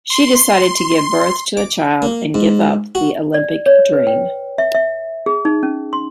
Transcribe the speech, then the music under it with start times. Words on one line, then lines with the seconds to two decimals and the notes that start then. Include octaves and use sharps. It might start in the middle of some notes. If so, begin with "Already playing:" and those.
She decided to give birth to a child and give up the Olympic dream.
0.10 C6
1.57 D6
2.02 A#3
2.34 G#2
2.95 F#4
3.34 D5
3.66 C#5
3.93 B4
4.07 G5
4.58 E5
4.75 E5
5.26 G#4
5.45 D#4
5.63 C#4
5.93 C6